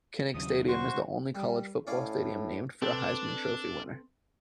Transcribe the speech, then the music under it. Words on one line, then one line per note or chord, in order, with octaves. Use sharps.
Kinnick Stadium is the only college football stadium named for a Heisman Trophy winner.
D#2 C#3 F#3 D#6
F#4 C5 C#6
G3
A2 C#4 D5 F5
C4 D4 A4 B4